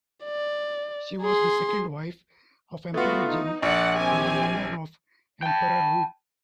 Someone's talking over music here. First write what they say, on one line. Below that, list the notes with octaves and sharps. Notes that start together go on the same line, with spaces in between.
She was the second wife of Emperor Jing and the mother of Emperor Wu.
D5
G#4 C6
A3 B3 F4 F#4
D#4
A#1 D5 F#5 C#7
C4 G4 G#5
G5 A5